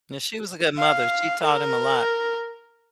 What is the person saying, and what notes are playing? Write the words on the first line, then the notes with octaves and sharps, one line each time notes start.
Yeah, she was a good mother, she taught him a lot.
F5
A#4